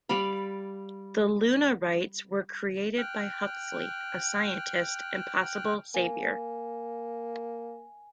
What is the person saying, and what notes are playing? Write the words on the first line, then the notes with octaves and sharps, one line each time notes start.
The Lunarites were created by Huxley, a scientist and possible saviour.
G3 D5 F5 B5
G5 F6 F#6
A#3 G#5